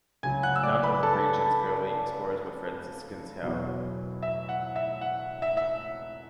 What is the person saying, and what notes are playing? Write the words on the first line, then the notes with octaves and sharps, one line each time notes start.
None of the region's early explorers were Franciscans, however.
C#2 C#3 F#3 G#5 G#6
F#5 F#6
E6
D5 D6
B4 B5
A4 A5
E2 B2 F#3
E5
F#5
E5
F#5
E5
E5